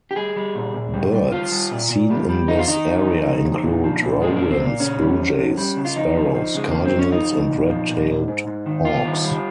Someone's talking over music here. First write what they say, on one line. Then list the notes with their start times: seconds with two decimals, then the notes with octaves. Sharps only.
Birds seen in this area include robins, blue jays, sparrows, cardinals and red-tailed hawks.
0.11 G4
0.16 G3 G#4
0.36 G3
0.55 A#2
0.74 A#2
0.94 G3
1.12 G3
1.32 G3 F4
1.52 G3
1.71 A#2
1.90 A#2
2.10 G3
2.29 G3
2.48 F2 D#4
2.59 F4
2.67 D#3 D#4
2.87 F2
3.06 F2
3.25 F2
3.45 F2
3.63 A#2
3.84 F3
4.03 A#2
4.22 F3 G#3
4.36 A#2 A#3
4.50 C4
4.60 A#2 A#3
4.79 C#3 C#4
5.00 G3
5.19 F2
5.38 F2
5.57 G3
5.77 C#3
5.85 F4
5.96 F2 D#4
6.15 F3
6.34 F3
6.54 C#3 G#3
6.71 F2 A#3
6.85 C4
6.92 F2
6.99 C#4
7.12 F3 D#4
7.32 F3
7.51 A#2
7.70 F3
7.89 A#2
8.08 A#2
8.28 G#2
8.47 G#2
8.66 D#3
8.85 G#2 F4
9.05 D#3
9.25 G3